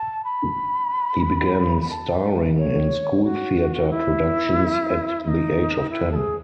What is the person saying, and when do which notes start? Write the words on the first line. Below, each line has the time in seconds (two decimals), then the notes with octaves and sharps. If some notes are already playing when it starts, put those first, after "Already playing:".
He began starring in school theatre productions at the age of ten.
Already playing: A5
0.25 B5
1.82 B5
1.91 A5
2.58 C#5
3.24 F#4
3.90 E4
5.24 E4
5.28 D#4
5.90 E4
6.12 A4
6.15 G#4